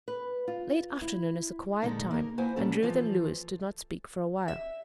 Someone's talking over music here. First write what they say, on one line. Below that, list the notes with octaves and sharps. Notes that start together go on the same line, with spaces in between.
Late afternoon is a quiet time, and Ruth and Louis did not speak for a while.
B4
F4
E4
A#2 D3 F3 G#3 D#4 A4
A#3 A#4
A#3 E4 C5 F#5 G#5
A#2 G3 G#3 C#4 A4
E3 F3 F4 A4
E5